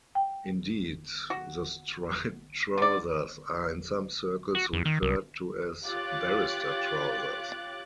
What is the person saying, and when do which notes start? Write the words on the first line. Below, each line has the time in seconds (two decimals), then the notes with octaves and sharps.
Indeed, the striped trousers are in some circles referred to as "barrister trousers".
0.15 G5
1.30 F#4
2.78 D3 D5
4.55 F#4
4.73 F2
4.85 D#3
5.02 C2
5.85 F4 G4 C#5 D6 F#6 A6